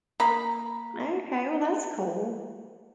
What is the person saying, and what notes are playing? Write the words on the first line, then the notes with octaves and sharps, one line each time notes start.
Okay, well, that's cool.
A#3 B5